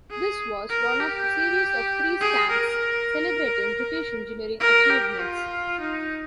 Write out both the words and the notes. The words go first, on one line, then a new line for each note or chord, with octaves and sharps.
This was one of a series of three stamps celebrating British Engineering Achievements.
G#4
A#4
G4
G#4
A#4
A#4
G4
F4
D#4